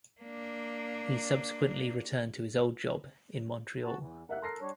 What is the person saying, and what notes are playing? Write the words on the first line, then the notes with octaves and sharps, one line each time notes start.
He subsequently returned to his old job in Montreal.
A#3 D4
F#4 A5
E2 E3
C3 A#3 A#4 E5 F#5 F#6
A4 A#4 C6 A#6 C7
G3 D4 C#5